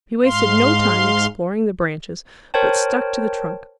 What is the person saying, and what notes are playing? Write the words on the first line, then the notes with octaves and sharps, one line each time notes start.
He wasted no time exploring the branches, but stuck to the trunk.
G#2 F5 C6
A#4 C5 C#5 G5 A5